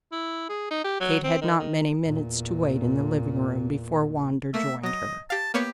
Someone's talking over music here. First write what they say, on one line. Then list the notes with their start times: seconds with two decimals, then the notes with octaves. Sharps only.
Kate had not many minutes to wait in the living-room before Wander joined her.
0.12 E4
0.49 G#4
0.71 D#4
0.84 G4
1.00 F#3
1.24 C4
1.41 D#3
1.59 D#3
2.04 E2 A#2
4.54 A3 A#3 E5
4.83 F#3 D#5 A#6
5.30 G4 F5 A5
5.54 A#3 B3 G4 C#5